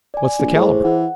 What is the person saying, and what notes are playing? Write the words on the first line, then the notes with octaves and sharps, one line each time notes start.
"What's the calibre?"
D5 G#5
A#1
A2 G#4 C5
E3 F#5